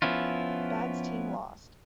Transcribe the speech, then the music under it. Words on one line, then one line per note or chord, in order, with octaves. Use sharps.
Badd's team lost.
F3 B3 C#4 E4 F4